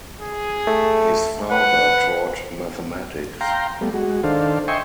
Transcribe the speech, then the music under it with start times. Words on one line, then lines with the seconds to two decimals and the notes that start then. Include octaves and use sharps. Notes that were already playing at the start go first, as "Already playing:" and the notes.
His father taught mathematics.
0.20 G#4
0.67 A3
1.51 B4 F#5
3.41 F5 G5 A#5 C6
3.81 G3 A3 B3
3.94 G#3 F#4
4.24 D#3 D4 A4 C5 F5
4.68 D#5 E5 G5 G#5 C6 C#6